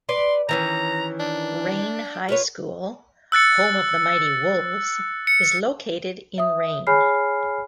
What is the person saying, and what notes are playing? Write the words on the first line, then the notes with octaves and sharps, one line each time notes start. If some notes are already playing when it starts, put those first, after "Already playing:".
Rayne High School, home of the Mighty Wolves, is located in Rayne.
B4 D5 C6
D#3 E3 C#4 A#5
D4
F4 B4 C#5
E6 F#6 A6 C#7
C#7
E5 D#6
G#4 C#5 G#5 B5 F6 C7